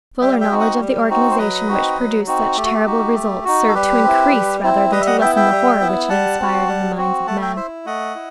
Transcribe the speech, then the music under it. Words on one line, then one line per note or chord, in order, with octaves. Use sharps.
Fuller knowledge of the organization which produced such terrible results served to increase rather than to lessen the horror which it inspired in the minds of men.
G3 E5 G5
E5 G5
C4 D#4 F#4
D#5 F#5
G3
C4 D#4 F#4
C5
F#3 B4 D#5
C4 D#4 F#4
F#3
C4 D#4 F#4
A3 G4
F#4
G4
D#4 F#4
A3
D#4 F#4
A4
G3 G4 B4
C4 E4
G3
C4 E4
G3 B4 D#5
E5
D#5 F#5
B3 E4 E5 G5
E5 G5
G3
B3 E4
G3 F#5 A5
C4 F#4
G3
C4 F#4
A3 F#5 A5
E5 G5
E4 C5 E5
A3 D#5 F#5
E4